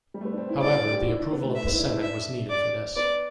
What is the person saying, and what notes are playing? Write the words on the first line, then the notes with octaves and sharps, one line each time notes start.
However, the approval of the senate was needed for this.
G3
A3
B3
D4
C4
E4
D4 D5
G4
F#4
E4
D4
B3
A3
A3 E5
B3
E4
D4
E4
D4 E5
D5
B3 D5